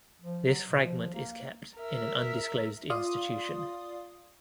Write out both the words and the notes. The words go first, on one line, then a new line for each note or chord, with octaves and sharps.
This fragment is kept in an undisclosed institution.
F3
F#3
B2
F3
A#3
A#4 E5
F4 D5 F5 C6 D#6